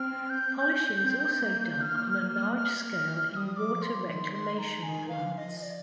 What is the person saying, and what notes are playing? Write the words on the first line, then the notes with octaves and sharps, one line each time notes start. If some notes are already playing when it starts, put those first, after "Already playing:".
Polishing is also done on a large scale in water reclamation plants.
Already playing: C4 F6
G6
C4
A#3
A#3 F6
F6
G3 D#6 F6
D6
F3
C6
D#3 C6
C6
A#5
D#3 G#5
F5
F3
F5
D#5
D#5
D5